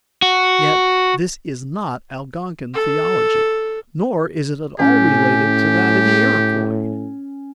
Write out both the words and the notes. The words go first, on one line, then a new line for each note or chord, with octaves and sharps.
Yet this is not Algonkin theology; nor is it at all related to that of the Iroquois.
F#4
A4
A2 C#4 G4